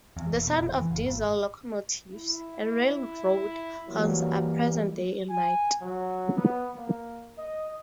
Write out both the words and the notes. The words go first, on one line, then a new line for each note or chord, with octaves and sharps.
The sound of diesel locomotives and railroad horns are present day and night.
E2
E1
B2
F1
E3
F#1
G#1
E4
E3 F#3 G3 A#3
G#5
F#3
B3
A#3
D#5